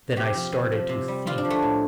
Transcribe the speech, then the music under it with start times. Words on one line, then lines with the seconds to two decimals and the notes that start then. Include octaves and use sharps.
Then I started to think.
0.16 C3 G4
0.35 F3
0.52 C3
0.72 F3
0.89 C3
1.08 G3
1.27 C3 F4
1.38 D4
1.45 F3
1.50 A3
1.62 A2